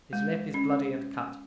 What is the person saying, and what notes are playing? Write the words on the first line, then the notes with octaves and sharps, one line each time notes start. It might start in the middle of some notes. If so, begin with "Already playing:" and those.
His lip is bloody and cut.
G#3
C#4